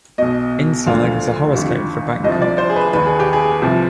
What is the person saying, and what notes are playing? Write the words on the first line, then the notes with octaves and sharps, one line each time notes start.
Inside was a horoscope for Bangkok.
B1 B2 D#5
D2 D3 F3 F5
G1 F2 D#3
C2 C3 F3 D#5
D5
C5
G#4
B4
D#2 D#3 B4
G#4
G4
G#4
C2 C3 F3